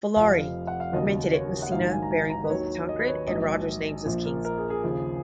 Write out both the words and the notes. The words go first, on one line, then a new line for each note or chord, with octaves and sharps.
"Follari" were minted at Messina bearing both Tancred and Roger's names as kings.
F1 F2 F3 F5
F#5
F5
D#2 C#3 F#3 D#5
C#5
F#5
A#1 G#2 D#3 F#3 F5
G#5
A#5
G#5
A#5
B4
D#2 D#3 F#3 C#5
D#5
B4
C#5
A#1 G#2 F#3 D#5
A#1 A#2 F3
A#4
A#4
G#4
G#4
D#2 C#3 F3